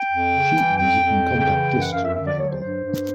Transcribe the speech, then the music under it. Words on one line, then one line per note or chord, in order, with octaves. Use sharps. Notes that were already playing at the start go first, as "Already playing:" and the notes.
Sheet music and compact discs are available.
Already playing: G5
F2
C#3
E3
F2 G5
F2
C#3
E3
F#2 G5
F#5
F#2 F5
E5
D3 E5
D5
F#3 C#5
C5
G2 C5
G2